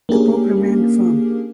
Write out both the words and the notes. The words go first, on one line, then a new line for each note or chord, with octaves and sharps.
The Pope remained firm.
A#3 C#4 D4 G4 G#4 A#4